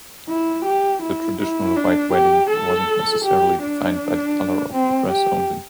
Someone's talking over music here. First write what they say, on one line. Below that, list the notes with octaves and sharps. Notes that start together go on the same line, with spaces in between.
The traditional white wedding wasn't necessarily defined by the color of the dress only.
E4
G4
E4
E4
D4
G4
A4
G4
D4
C4
G4